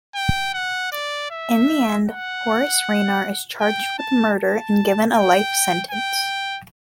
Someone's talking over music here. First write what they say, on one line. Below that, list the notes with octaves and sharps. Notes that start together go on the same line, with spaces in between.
In the end, Horace Rayner is charged with murder, and given a life sentence.
G5
F#5
D5
E5
F#5
G5
A5
A5
G5
G5